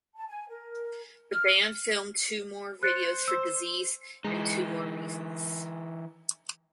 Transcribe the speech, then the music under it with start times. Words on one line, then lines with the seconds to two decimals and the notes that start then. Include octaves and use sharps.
The band filmed two more videos for "Disease" and "Two More Reasons".
0.16 A5
0.28 G#5
0.49 A#4
1.32 F6
2.83 C5 F#6 A6 C#7
3.28 E6
4.24 E3 G#3 D#4